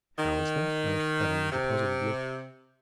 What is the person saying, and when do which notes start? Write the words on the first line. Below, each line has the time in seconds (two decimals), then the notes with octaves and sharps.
"How is that?" asked Adam with a puzzled look.
0.19 D#3
1.52 C3